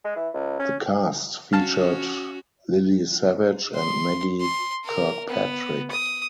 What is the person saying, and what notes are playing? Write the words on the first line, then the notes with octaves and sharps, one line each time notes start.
The cast featured Lily Savage and Maggie Kirkpatrick.
G#3
E3
C#2
C#4
C#4 F#4 F5 A5
C6
C6
A#4
B3
D#6